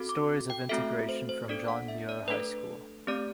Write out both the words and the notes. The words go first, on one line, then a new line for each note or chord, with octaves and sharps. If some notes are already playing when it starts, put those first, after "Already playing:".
Stories of Integration from John Muir High School.
Already playing: C4 F#4 A4
D6
G5
A3 C4 F#4 A4 E5
C5
C5
B3 D4 A4 D5
F#5
E5
D5
A3 D4 A4 B4
A3 C4 G4 D5